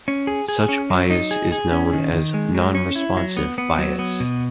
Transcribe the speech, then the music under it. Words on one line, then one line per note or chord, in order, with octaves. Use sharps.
Such bias is known as nonresponse bias.
C#4
G#4
G#4
C#4
F#3
D#4
G#4
G#4
C#4
D#3
D#3
G#3
F#3
C#4
E4
F#3
B3
B3
F#3
B3
B2